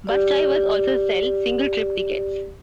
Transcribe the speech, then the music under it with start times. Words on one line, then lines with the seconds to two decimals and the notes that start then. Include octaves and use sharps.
Bus drivers also sell single-trip tickets.
0.07 G4 D5